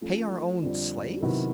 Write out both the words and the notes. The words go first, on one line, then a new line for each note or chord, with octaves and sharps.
"Pay our own slaves?"
F3 A3 C#4 F4
F2 D3 G3 C4
C3 D#3 F#3 B3 E4